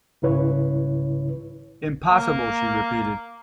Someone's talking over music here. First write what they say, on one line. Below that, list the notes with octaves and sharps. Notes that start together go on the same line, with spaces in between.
"Impossible," she repeated.
C2 G#2 C#3 E4 B4 C#5
A#3